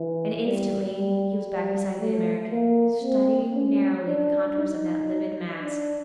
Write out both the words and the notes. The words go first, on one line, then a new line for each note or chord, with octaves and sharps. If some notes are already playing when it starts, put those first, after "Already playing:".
And instantly he was back beside the American, studying narrowly the contours of that livid mask.
Already playing: E3
G3
G3
G3
A3
A#3
C4
C#4
D4
D#4
D4